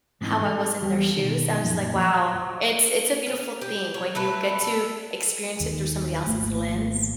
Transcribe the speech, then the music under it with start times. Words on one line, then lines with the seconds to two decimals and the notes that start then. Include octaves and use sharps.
how I was in their shoes, I was just, like, "Wow." It's it's a beautiful thing when you get to experience it through somebody else's lens.
0.21 G#2 E3 C4 D#4
0.41 G#3 A4
0.81 E2 G3 G4
1.17 B2 D#3
1.63 F#2 A#2 F3
3.27 C#4
3.61 G4
3.94 C#5
4.15 F#3 A3 B4
4.61 A4
5.60 D#2 D#3
6.26 G#1 A3 A#3